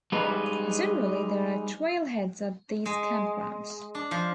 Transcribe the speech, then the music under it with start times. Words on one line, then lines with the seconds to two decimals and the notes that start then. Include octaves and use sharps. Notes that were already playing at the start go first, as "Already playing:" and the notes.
Generally, there are trailheads at these campgrounds.
0.12 G3 G#3 D#4 B4
2.86 G#3
3.95 D4
4.11 F3